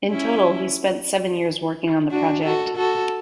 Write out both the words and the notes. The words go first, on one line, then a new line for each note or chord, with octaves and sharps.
In total he spent seven years working on the project.
C#4 E4
D4 F#4
F#4 A4
F#4 A4